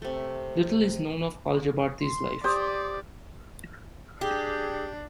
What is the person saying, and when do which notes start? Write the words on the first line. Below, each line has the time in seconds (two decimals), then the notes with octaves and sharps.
Little is known of Al-Jabarti's life.
0.02 C3 A3
2.01 C6
2.44 G4 C5 D5 D#6
4.21 D4 G4 G#4